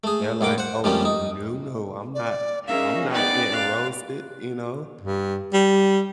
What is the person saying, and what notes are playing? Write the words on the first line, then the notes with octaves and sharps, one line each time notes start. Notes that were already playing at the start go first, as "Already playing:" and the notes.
they're like, "Oh, no, no, I'm not I'm not getting roasted." you know?
A3 G#4
B1 A2 A#3 D6
C5 F#5
F2 F3 G3 A3 A#3 C#4
D#4
D5
C#4 D#4 G#4 A#4 E5 F5
B3 B4 D5 G5
F5 F#6
G2
G3